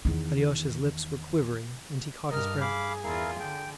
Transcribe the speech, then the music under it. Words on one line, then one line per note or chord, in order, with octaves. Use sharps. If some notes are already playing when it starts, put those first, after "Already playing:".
Alyosha's lips were quivering and he caught his breath.
E2 D#3
G2 A#4 D#5 F6
G#4 F5 B5 D6
E2 E4 F4 A#4 F5
D3 G5